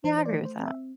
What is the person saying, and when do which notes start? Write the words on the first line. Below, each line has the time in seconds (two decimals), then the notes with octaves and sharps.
Yeah. I agree with that.
0.04 E3 C5
0.18 C5
0.25 D5
0.32 A3
0.45 C5
0.59 C4
0.66 E5